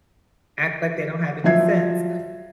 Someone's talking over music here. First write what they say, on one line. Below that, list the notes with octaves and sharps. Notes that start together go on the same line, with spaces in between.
act like they don't have any sense.
F3 F#3 E5 G#6 C7